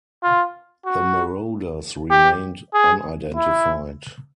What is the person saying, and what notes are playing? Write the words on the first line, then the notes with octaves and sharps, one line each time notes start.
The marauders remained unidentified.
F4
F#4
G4
G#4
E4